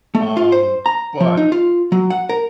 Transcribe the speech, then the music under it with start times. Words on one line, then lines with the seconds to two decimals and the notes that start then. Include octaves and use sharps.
um, but,
0.15 A3
0.37 F4
0.52 C5
0.86 A#5
1.20 F3
1.37 D#4
1.52 F4
1.92 F#3
2.10 F#5
2.29 A#4